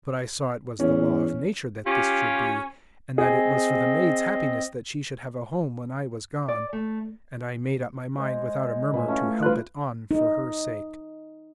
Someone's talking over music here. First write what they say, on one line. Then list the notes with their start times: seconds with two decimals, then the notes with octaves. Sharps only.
But I saw it was the law of nature that this should be, and that it was for the maid's happiness that she should have a home when I was gone; and I made up my mind without a murmur to help it on for her sake.
0.80 E2 C#4
1.86 C#4 F4 G4
3.18 C4 G#4 D#5
6.48 D5
6.73 A3
8.18 G#3 C5
8.94 A#2 B4 E5 G#5
9.08 A3 C#4 E4 F4
9.43 G2 E3 F4 B4 F#6
10.11 D#4